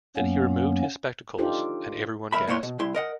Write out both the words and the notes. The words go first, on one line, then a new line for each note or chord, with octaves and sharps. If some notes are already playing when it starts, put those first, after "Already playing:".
Then he removed his spectacles, and everyone gasped.
F#2 F#3 A#3 B3 C#4
D4 D#4 F4 G4 A4 C5
C#2 G2 A#4 E5 B5
A#2 A#3 E4 C#5 C6
B2
C2 E4 C6
A#4 D#5 F#5